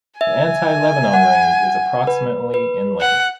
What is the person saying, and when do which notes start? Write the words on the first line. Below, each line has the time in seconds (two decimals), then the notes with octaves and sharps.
The Anti-Lebanon range is approximately in length.
0.21 E5 G#5
1.14 F#5
2.07 B4
2.54 B4
3.01 F#5